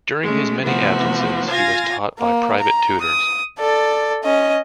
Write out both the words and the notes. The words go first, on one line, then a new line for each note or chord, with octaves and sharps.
During his many absences he was taught by private tutors.
G#3 A3 C#4
C3 E3 F3 A3 B3 F#4
F4 F5 G#5 G#6 A#6
A#3
A#5
D#6
A4 D5
C#4 D#5